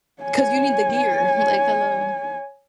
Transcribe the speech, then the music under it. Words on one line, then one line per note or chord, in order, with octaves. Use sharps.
'cause you need the gear, like, "Hello."
C#5 G#5